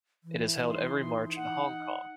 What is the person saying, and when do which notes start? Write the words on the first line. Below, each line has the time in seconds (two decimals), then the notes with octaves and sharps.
It is held every March in Hong Kong.
0.24 E3
0.68 D#4 C6
1.36 F#5